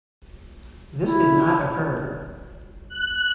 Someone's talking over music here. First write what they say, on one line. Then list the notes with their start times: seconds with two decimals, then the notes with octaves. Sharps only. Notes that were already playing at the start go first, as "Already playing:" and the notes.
This did not occur.
1.04 E4
2.89 F#6